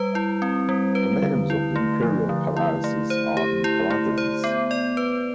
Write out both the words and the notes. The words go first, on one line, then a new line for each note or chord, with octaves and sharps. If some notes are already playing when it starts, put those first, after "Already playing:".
The names of the Imperial palaces are in parentheses.
Already playing: G3 B4
E4
C4
G3
B4
D3
E4
A3
F3
D3
E4
A3
C5
G4
E4
A3
C5
B3
D5
B4